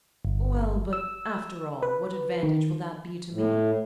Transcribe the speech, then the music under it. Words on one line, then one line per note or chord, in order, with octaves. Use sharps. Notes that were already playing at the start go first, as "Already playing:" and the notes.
"Well, but, after all, what advantage will that be to me?"
G1
E6
B4
D#3
A2